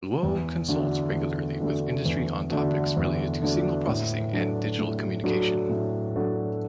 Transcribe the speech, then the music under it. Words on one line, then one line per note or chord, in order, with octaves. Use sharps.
Luo consults regularly with industry on topics related to signal processing and digital communication.
E2
D3 A3 D4 F#4
E2
D3 A3 D4 F#4
E2
D3 A3 D4 F#4
E2
D3 A3 D4 F#4
A2
F#3 D4 F#4 A4
A2
F#3 D4 F#4 A4
A2
F#3 D4 F#4 A4